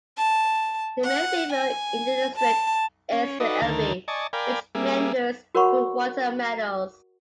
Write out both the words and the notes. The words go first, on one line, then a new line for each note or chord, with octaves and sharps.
The main river in the district is the Elbe, which meanders through water meadows.
A5
F#5
G#5
A5
C#4
D#4 F#4 A4 B4 D5 D#5
D2 D#3 A#4 A5
D5 D#5 G#5 A5 C#6
A#4 D5 F5 G5 G#5 B5
G3 A#3 G#4 E5
F#4 A#4 C#5 F#5 B5 C#6